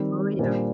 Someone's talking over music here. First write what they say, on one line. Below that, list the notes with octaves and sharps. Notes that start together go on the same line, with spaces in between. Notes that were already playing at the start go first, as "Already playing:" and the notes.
Oh, yeah.
Already playing: D#3 G3 C4
A#2 G3 D4 G4 C5